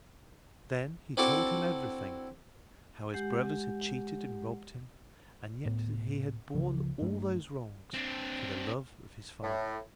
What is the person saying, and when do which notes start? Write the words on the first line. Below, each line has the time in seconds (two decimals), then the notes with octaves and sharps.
Then he told him everything; how his brothers had cheated and robbed him, and yet that he had borne all those wrongs for the love of his father.
1.17 C4 D4 E4 F#4 A4 D5
3.14 G#3 G4 F#5
5.65 D1 A2 B3
6.54 C#2 C#3 F3
7.01 G2 F#3 A3 D4
7.94 C4 D4
9.43 A2